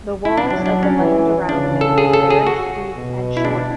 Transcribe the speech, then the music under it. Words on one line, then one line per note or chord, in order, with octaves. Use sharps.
The walls of the land around it is very steep and short.
E4
D4
F#3 D4
D4
C#4
E3
C#3 D4
A4
G#4
A4
G#4
F#4
B2
E4
D4